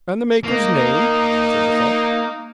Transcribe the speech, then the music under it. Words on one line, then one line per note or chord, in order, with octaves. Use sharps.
"And the maker's name?" said Defarge.
A#3 D#4